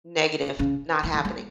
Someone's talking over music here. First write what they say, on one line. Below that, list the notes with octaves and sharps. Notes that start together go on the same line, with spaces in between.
negative, not happening,
C#3
D#3
E3
G#3